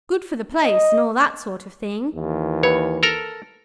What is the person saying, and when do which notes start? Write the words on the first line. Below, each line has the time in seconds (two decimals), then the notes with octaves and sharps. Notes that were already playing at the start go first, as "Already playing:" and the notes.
"Good for the place--and all that sort of thing."
0.63 D#5
2.13 D#2 E3
2.63 B4 C#5
3.03 A4 A#4 A#5